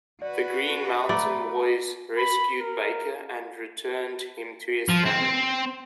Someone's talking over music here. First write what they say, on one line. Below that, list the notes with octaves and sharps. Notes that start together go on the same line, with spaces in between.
The Green Mountain Boys rescued Baker and returned him to his family.
F#4 B4 D5
A3 D5 A#5 B5
B5
A#4
F3
C4